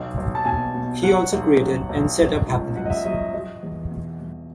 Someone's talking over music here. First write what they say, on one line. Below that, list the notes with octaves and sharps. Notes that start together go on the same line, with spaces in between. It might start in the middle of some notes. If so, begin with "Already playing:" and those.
He also created and set up happenings.
Already playing: B1
B1
A5
B2 G#5
B2
F#3 F#5
B1
F#3
B1
F#3
C#2
F#3 F#5
D#5
E5
F#3 D#5
F#3 D#5
E2
B2
E2